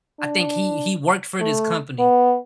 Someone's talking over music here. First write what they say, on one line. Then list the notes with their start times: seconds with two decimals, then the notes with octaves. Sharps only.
I think he he worked for this company,
0.20 D4
1.40 A3
1.99 B3